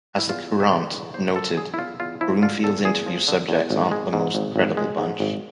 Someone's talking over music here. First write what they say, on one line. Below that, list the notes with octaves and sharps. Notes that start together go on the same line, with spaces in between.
As "The Courant" noted: Broomfield's interview subjects aren't the most credible bunch.
E4
E2 F4
F3
E5
D3 D5
E2
E2 C5
F3 A4
D3 G#4
E4
E2 F4
E2 F4
F3 E4
D3 F4
E2 A4
E2 G#4
F3
D3
E2
G#1
G#3
G#2
G#1
G#1
G#3
G#2
G#1